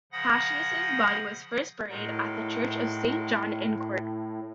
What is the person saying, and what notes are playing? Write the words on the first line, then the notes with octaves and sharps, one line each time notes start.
Paschasius' body was first buried at the Church of Saint John in Corbie.
C#3 F3 F#5 B5 D#6 A#6
A2 D#3 F#3 G#3